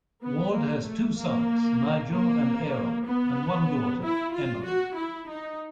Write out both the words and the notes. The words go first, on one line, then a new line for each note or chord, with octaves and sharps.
Ward has two sons, Nigel and Aaron, and one daughter, Emily.
B3
A#3
A3
A#3
A#3
B3
E4
F4
F#4
E4
D#4